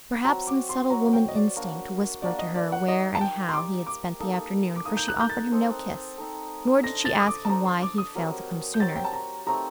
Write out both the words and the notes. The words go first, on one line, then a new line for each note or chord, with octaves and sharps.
Perhaps some subtle woman-instinct whispered to her where and how he had spent the afternoon, for she offered him no kiss, nor did she ask him why he had failed to come sooner.
F#3 C4 F#4 A#5
D6
C6
F#3 C4 F#4 A#5
G5
D#5
D5
A#3 D4 F#4
A#3 D4 F#4 D5
D#5
D5
F#5
D#4 G4 D5 D#5
A5
G5
C6
D#4 G4 D5 D6
D6
A#3 D#4 A4
D6
A#3 D#4 A4 D#6
G6
F#6
G6
A6
C4 D#4 A4 C5
C4 D#4 A4 C5
D4 A4 C5 D#5 A#6
A6
D#6
D6
A5
D4 A4 C5 D#5 A#5
C6
D6
D#6
F#3 C4 G4 A#4
G6
F#3 C4 G4 A#4 A6
G5
A5
A#5
A3 C4 D#4 G4 A#5